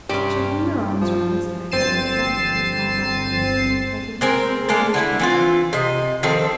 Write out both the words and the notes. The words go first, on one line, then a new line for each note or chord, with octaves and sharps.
She flung her arms round his neck and looked up at him, half laughing, like a beautiful, loving child.
G2 C3 C#4 G4 D5
F3
G1 C4 A6 C7 D#7 E7
G#3 C4 A#4
G#3 A#3 D4 A4
D3 E4
E3 C4 F4
C3 D#5
D#3 F3 C4 A4